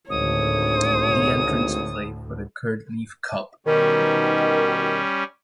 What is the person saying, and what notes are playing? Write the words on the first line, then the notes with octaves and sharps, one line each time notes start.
The entrants play for the Kurt Lief Cup.
G#1 D2 A2 C#5 D#6
B2 D#3 G3 C#4